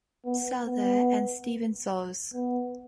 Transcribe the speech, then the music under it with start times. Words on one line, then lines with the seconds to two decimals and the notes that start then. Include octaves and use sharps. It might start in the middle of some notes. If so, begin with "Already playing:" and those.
Souther and Steven Soles.
0.25 B3
0.66 B3
2.33 B3